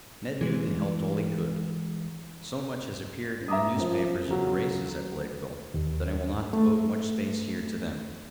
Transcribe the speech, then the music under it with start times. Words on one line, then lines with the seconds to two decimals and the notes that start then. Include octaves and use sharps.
Ned Newton helped all he could. So much has appeared in the newspapers of the races at Blakeville that I will not devote much space here to them.
0.41 E3 G#3
3.48 E5 A#5 D6 D#6
3.76 F#2 F3
4.27 C#3 F#3
5.74 D#2
6.53 A3